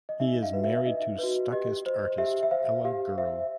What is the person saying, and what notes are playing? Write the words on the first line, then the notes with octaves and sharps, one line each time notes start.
He is married to Stuckist artist Ella Guru.
D#5
D#4 E5
F5
F#4 B4
E5
E5
D#4 D#5
F#4 B4
G4 D#5
C5
G4 E5
E5
C5 F5
G4 F5
C5 E5